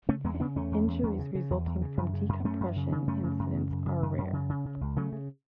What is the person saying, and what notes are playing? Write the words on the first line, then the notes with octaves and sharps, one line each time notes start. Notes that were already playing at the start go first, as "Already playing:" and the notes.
Injuries resulting from decompression incidents are rare.
C#3 A3 C#4
E2 G#3 B3
C#4
C#3 B3 D4
E2 A3 C#4
E2
E2
E2
C#3
C#3
E2
E2
C#3
F#2
C#3
F#2
B3
F#2 A3 C#4
F#2
C#3
C#3
F#2 A3 C#4
C#3
F#2
C#3
F#2
C#3
F#2
F#2
C#3
C#3
C#3
C#2
C#3 F#3 A3
C#3